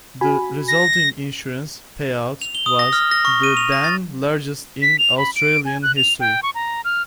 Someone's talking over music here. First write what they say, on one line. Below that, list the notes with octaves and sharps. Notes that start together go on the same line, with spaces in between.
The resulting insurance payout was the then largest in Australian history.
F#4 G#5 B5
A#6
F7
G7
D#6
A#6
F6
A#6
C#6
D#7
F7
A#6
A6
B6
F7
B5
D7
G#5
F#6
F7
G5
C#6
A#5
F6